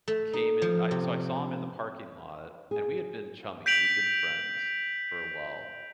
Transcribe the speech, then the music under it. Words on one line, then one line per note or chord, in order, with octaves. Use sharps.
came in, I so, I saw him in the parking lot, and we had been chummy, we'd been friends for a while,
A3
D#4
F3
C3
G#4
G6 B6 D7 F7 F#7